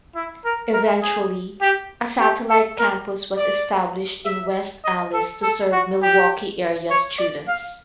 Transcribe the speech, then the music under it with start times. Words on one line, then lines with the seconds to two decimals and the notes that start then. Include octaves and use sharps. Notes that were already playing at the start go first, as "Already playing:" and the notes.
Eventually a satellite campus was established in West Allis to serve Milwaukee area students.
0.15 E4
0.45 A#4
0.74 A#4
1.02 G#4
1.61 G4
2.20 G4
2.49 A4
2.79 A#4
3.37 D5
4.26 E5
4.84 D#5
5.13 A4
5.42 A4
5.72 F#4
6.02 G4
6.90 C#5
7.19 D5
7.48 F5